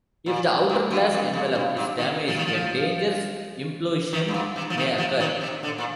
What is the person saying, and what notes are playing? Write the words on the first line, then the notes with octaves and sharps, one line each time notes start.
If the outer glass envelope is damaged, a dangerous implosion may occur.
A#2
G#2
G2
F2
F2
G2
G#2
D#3
F3
D#3
F3
D#3
G2
G#2
C3
F3
D#3
F3
D#3
C3
D3
A#2